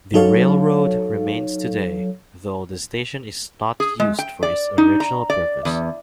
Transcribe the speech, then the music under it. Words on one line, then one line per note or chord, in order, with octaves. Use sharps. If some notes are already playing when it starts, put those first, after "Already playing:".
The railroad remains today, though the station is not used for its original purpose.
F#3 D#4 A4 C#5 F5
G#4
G#3
G5
D5
D#4
A#5
D5
E2